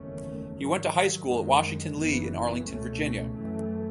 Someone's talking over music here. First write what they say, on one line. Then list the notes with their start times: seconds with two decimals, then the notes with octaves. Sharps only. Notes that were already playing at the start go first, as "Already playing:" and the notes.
He went to high school at Washington-Lee in Arlington, Virginia.
Already playing: F#1 E2 D#3 A3 C#4
0.55 G#2 D#3 F#3
1.24 F#2 D#3 G#3
1.94 F#1 F#2 E3 B3
2.64 C#2 B2 A3 C#4
3.34 F#2 E3 A3